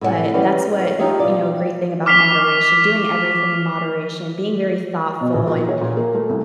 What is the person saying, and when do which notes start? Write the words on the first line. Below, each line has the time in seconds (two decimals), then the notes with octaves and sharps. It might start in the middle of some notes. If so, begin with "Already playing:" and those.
but that's what you know, a great thing about moderation doing everything in moderation, being very thoughtful, and
0.01 A2 C3 D5 F#5 G#5
0.34 E3 C#4 G4 B4 D5
0.78 C#4
0.99 F3 D#4 G4 C#5 D#5 E5
1.20 B2 F4 D5
2.05 C#6 D6 F6 B6 C7 F7
5.21 B2
5.34 A#1
5.47 A#2
5.69 C#5
5.81 A#2
5.97 A#3
6.14 A3
6.29 C2